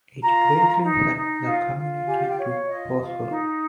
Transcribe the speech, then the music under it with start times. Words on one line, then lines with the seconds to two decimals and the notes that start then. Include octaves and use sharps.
It greatly helped the community to prosper.
0.22 F4 A#5
0.53 F4
0.84 D#4
1.15 D#4
1.45 F4
1.77 F4
2.07 G4 G#5
2.29 G5
2.39 C#5
2.49 F5
2.69 F4 D#5
3.00 F4
3.31 D#4